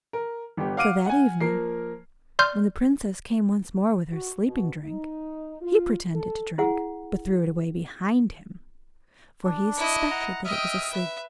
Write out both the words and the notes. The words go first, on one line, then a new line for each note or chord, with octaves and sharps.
So that evening, when the Princess came once more with her sleeping-drink, he pretended to drink, but threw it away behind him, for he suspected that it was a sleeping-drink.
A#4
G1 B3 G4
F5 F#5 D6 F6 D7 D#7
F#5 G#5
F3 A#3 A#4 C7
D5 C6 F6 G6
F#4
B2
D#4
F4
A4
E4 G#4 F#5
D4
E4 D#5
F#5 A#5
D#5 E5 G5 D#6 F6
B4 E5